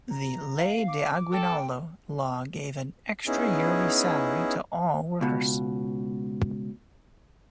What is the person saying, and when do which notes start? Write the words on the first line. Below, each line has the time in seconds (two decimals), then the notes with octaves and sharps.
The "Ley de Aguinaldo" law gave an extra yearly salary to all workers.
0.11 A#5
0.58 F5
0.88 D6
1.32 A4 G5
3.27 B3 C#4 D#4 E4 G#4
5.21 C#2 B2